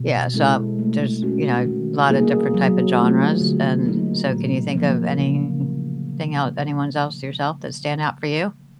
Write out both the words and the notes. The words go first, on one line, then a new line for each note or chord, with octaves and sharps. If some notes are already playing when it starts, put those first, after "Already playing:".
yeah so there's, you know, a lotta different type of genres, and so, can you think of anything el anyone's else yourself that stand out for you?
Already playing: B2
G#3 C4 E4 A4
A3
C#4 F#4
D#3
G3 A#3 D#4 G#4
F#3
A3 C4 F4
D3
F#3 A#3 D#4
A#2
F3 A#3
C#3